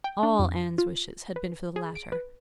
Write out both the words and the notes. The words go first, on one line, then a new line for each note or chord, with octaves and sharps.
All Anne's wishes had been for the latter.
G5
D4
F2
F4
B4
G#4
D7
B4